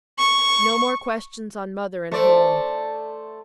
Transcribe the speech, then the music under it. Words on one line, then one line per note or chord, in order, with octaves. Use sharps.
No more questions on mother and home!
C#6
A3 C5 D5